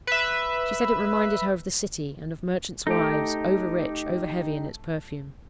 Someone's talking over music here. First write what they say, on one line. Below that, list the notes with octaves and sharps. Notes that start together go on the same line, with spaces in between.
She said it reminded her of the city and of merchants' wives, over-rich, over-heavy in its perfume.
B4 E5
A3 D#4 G4